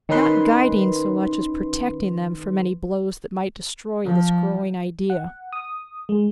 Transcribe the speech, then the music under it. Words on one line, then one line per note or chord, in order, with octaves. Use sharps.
Not guiding so much as protecting them from any blows that might destroy this growing idea.
D#3 C#4 D#4 B4 C6
F3
F#5
D#6
G#3